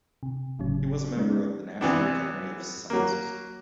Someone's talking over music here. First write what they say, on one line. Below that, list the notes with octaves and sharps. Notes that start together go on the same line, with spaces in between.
He was a member of the National Academy of Sciences.
C3
G1 A2 C#3 F#3 C#4
G#3 B3 C#4 D#4
C3 E3 B3 D4
F#3 A#3